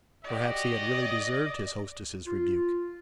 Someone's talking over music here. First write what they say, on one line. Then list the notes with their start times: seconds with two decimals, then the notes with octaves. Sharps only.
Perhaps he had really deserved his hostess' rebuke.
0.24 F#4 G4 D5 D#5
2.27 F4